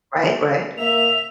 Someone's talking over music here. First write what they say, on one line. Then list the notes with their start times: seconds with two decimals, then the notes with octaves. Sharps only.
Right, right.
0.77 A#3 E5 F7